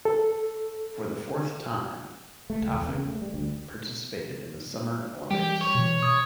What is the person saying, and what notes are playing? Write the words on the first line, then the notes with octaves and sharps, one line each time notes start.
For the fourth time, Taufik participated in the Summer Olympics.
A4
A3
C#2
E2
C#3
A3
G3
D2
E3 G3 G4
C#5
B2 E3
D#6 G#6